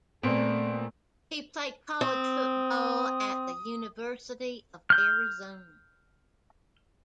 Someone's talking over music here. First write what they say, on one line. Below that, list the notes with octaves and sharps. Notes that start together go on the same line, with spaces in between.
He played college football at the University of Arizona.
A#2 A3 B3 C4 D5 C6 D7
C4 D#6
F6 G6